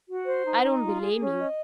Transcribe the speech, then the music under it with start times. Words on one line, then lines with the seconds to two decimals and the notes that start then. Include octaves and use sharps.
I don't blame you.
0.07 F#4
0.25 C5
0.44 D#4
0.63 D#4
0.82 F4
1.01 G#4
1.19 C#4
1.38 D#5